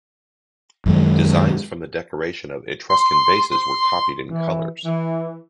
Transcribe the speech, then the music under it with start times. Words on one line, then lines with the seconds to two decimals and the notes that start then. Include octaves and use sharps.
Designs from the decoration of Etruscan vases were copied in colors.
0.86 F#2 D#3 G#3
2.90 C6
3.52 C6
4.30 E3
4.85 E3